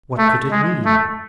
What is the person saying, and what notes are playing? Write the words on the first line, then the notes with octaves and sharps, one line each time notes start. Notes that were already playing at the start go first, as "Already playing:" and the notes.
What could it mean?
A3
G#3
A3